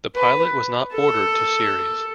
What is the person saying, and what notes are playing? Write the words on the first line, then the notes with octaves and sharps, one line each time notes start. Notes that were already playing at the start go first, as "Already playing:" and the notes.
The pilot was not ordered to series.
B4
A4